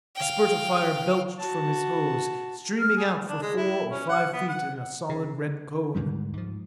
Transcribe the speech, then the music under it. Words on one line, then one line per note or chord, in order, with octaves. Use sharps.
A spurt of fire belched from his hose, streaming out for four or five feet in a solid red cone.
F5 G5
F#4 A5
F6
G#4
D4
G#3
E4
C#4
F#5
B3
F#5
C#3
D2 G#2 D#3 G3
G#2 F3